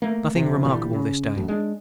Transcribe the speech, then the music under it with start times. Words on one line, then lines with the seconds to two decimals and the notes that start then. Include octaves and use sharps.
Nothing remarkable this day.
0.02 A3 A#3
0.35 F1 C3
0.65 A#2 D3 E3 G3
0.93 C#3
1.35 A1 F#2
1.48 G#3 D4